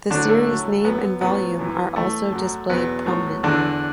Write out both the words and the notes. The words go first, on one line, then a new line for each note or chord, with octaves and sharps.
The series name and volume are also displayed prominently.
A2 D3 F#3 D4
A3
A2 F#3
F#2 F#3 B3
A2 F#3 B3
F#2 E3
A2 E3 A3
F#2 F#3
E2 B2 F#3 B3
A2 F#3
E2 D3 E3 D4